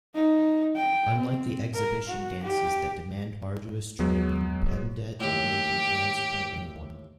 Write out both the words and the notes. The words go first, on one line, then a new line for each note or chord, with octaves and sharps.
Unlike the exhibition dances that demand arduous training, Pendet may be danced by anyone.
D#4
G5
C4
A#4
F#4
G4
D#2 F#3 G#3 B3
D#2 A2 G4